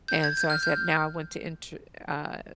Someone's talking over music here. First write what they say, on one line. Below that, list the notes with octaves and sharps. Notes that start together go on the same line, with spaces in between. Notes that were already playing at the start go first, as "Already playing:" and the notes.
and so I said, “Now I want to enter “uh,
G6
G#6
G6
F6
G6